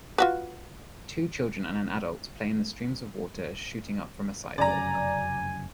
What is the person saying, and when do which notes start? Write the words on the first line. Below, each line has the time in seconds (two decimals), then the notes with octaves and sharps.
Two children and an adult play in the streams of water shooting up from a sidewalk.
0.18 F4 F#4 B4
4.58 F1 F#2 C#3 D5 G#5 A#5